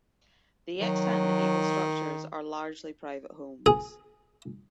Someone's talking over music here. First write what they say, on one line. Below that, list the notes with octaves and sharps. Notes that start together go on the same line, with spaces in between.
The extant medieval structures are largely private homes.
D#3 F#3
G#4